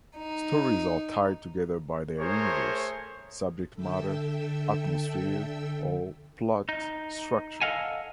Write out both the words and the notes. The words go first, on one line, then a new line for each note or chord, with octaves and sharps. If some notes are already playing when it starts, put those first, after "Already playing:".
Stories are tied together by their universe, subject matter, atmosphere, or plot structure.
D#4
A3 G#4 A#4 C5 C#5
D3 A4 E5 G5 E6
D#4
A4 A#4 D#5 F5 F#5 G#5